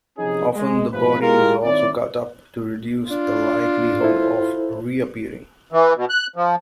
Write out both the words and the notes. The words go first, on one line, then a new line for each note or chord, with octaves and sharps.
Often, the body is also cut up to reduce the likelihood of reappearing.
C3 F3 C#4 D#4 G#4
G#3
G#1 C3 F3 B4
G#3 E4 F4 G4 G#4 A#4
D#3 C4 E4 C#5 D5
D4 F4
E4 A4 C5
E3
B2
F#6
F3